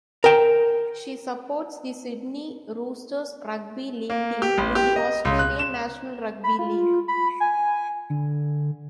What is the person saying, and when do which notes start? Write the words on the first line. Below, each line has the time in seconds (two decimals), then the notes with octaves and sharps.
She supports the Sydney Roosters rugby league team in the Australian National Rugby League.
0.24 A#4 G5
4.10 A#3
4.42 G4
4.58 A1
4.75 G4
4.96 D#5
5.25 C#2
5.39 F#6
5.59 E7
6.44 B5
6.59 F4
7.08 B5
7.40 G#5
8.10 D3